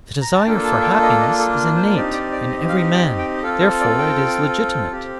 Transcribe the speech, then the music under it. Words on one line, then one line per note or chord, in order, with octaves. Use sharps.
The desire for happiness is innate in every man; therefore it is legitimate.
A#5
A5
A#3 D4 F4 A4 G5
A5
G5
D#5
D#5
A4
C5
C4 D#4 G4 D5
D5
D5
D#5
F5
G5
G5
D#5
C4 F4 A4 F5
D#5
D5
G5
C4 G4